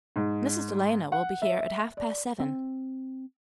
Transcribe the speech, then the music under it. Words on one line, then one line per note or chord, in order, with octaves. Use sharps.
Mrs. Delano will be here at half past seven.
G#2
F#5
E5
D5
C4